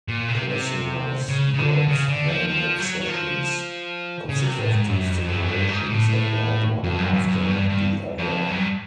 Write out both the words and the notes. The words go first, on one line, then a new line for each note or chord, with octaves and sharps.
Persinger's God Helmet sessions consist of two stimulations, applied one after the other.
A#2
C3
C3
C#3
C#3
D3
C#3
D3
F3
F3
F#3
F#3
F3
C#3
C3
A2
G#2
F#2
F2
F#2
G2
G#2
A2
A2
F2
F#2
F#2
F#2
G2
G2
F2
F#2
G2